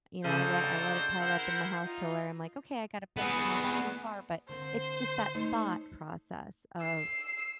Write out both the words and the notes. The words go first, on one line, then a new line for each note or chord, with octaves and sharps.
you know, I let I let it pile up in my house till where I'm like, "Okay, I gotta put some more back in the car," but it's just that thought process of
C#3 D4 D#4 F#4 A4 C5
E4 A#4 F#5
D#4 F4
B3 G#4
D3 A#3 C4 C5
A3 D#4 C#5
E6 C7